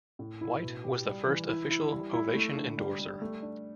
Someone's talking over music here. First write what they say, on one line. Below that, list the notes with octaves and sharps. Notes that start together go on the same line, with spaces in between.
White was the first official Ovation endorser.
A2
E4
B2
G4
G3
E3
E4
E4
G3
E4
A3
D3
G3
G3
A3
D4